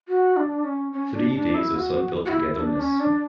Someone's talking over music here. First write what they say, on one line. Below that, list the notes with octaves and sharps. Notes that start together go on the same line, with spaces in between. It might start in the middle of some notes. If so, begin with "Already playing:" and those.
Three days of sun-filled togetherness.
F#4
D4
C#4
C#4
D4
D4
E4
F#4
F#4
E4
D4
C#4
D4